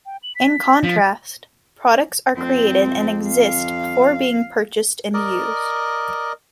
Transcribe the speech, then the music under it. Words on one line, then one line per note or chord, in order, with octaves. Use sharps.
In contrast, products are created and "exist" before being purchased and used.
G5
F#7
B6
F3 B6
F2 C4
F5
A#4 D5 D#5